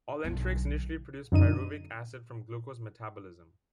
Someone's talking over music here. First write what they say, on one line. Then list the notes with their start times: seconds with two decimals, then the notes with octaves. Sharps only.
All enterics initially produce pyruvic acid from glucose metabolism.
0.24 B1 D3
1.32 F#2 D3 D#4 D#7